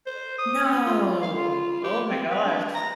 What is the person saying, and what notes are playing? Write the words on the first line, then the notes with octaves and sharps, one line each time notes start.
No. Oh my gosh.
C5
D#6
C#4
F4
F5
F4
G4
C4
B4
D4
A#5